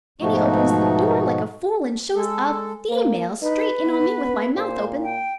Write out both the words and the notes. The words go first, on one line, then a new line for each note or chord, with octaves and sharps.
Annie opens the door like a fool, and shows a female straight in on me, with my mouth open.
G#2 B2 F3 A3 D#4 F#4
G#3 A4
A#3
D#4 B4
B3
A#2 C5
G5